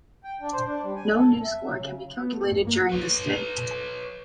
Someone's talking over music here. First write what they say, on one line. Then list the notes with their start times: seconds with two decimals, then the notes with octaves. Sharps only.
No new score can be calculated during the stay.
0.24 G5
0.41 D4
0.53 C5
0.66 D4
0.84 G3
0.96 G#5
1.17 A4
1.32 F2
1.44 E5
1.65 F#3
1.79 C#3
2.17 B3
2.33 A3
2.52 G2
2.67 A#3
2.89 B4 C#5